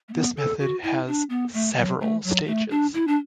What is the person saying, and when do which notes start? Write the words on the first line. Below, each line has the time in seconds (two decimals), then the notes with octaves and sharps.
This method has several stages.
0.09 A3
0.13 B3
0.37 A4
0.60 F#4
0.83 E4
1.07 D4
1.30 B3
1.54 A3
1.77 F#3
2.01 A3
2.24 F#3
2.47 A3
2.70 D4
2.94 E4
3.07 D4